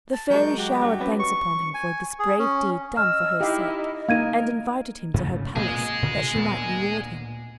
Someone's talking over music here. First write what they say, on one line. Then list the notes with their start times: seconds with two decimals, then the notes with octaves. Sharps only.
The fairy showered thanks upon him for this brave deed done for her sake, and invited him to her palace that she might reward him.
0.13 A5
0.30 F#3 G#3 A#4 C#6 G6
0.58 F#4 G4
0.82 G2 F#3
1.00 C4 C#4 B4
1.19 C#6
1.74 G#5
2.19 G#4
2.39 C#4
2.97 D#5 E6 F6
3.41 D#4 E4 G4 F5
4.09 A#3 D#4 A#4 F5 G#6 D#7
5.14 G#2 C#3 A3
5.56 A#2 A#3 C4 G#4 D#5
6.02 A#2 D3 D#3
6.33 D2 A#2 B3